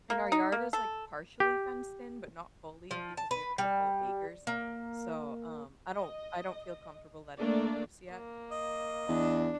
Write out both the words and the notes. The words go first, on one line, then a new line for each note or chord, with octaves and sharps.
and our yard is, like, partially fenced in, but not fully because we have a couple acres, so, um, I don't I don't feel comfortable letting her loose yet.
A#3
D#4
A#3
A4
G4
F3
A5
B4
G3
A#3
D#5
A3 A#3 D4 D5
A#3
D#5
E2 D4